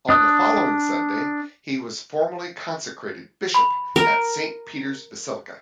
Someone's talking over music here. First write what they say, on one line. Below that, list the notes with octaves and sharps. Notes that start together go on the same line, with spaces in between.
On the following Sunday, he was formally consecrated bishop at Saint Peter's Basilica.
D4 D#6 F#6
B5
A#4